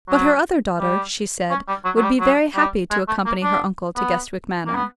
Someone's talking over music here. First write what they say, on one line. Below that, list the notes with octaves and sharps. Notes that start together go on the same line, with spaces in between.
But her other daughter, she said, would be very happy to accompany her uncle to Guestwick Manor.
F#3
G3
C#4
G3
F#3
F#3
G3
F#3
G3
G#3
A3
A#3
D4
B3
A#3
B3